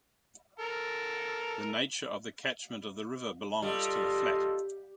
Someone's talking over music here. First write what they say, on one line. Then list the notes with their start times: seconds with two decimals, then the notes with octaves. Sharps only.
The nature of the catchment of the river belongs to the flat.
0.60 A4 A#4
3.62 G3 F4 A4 D#5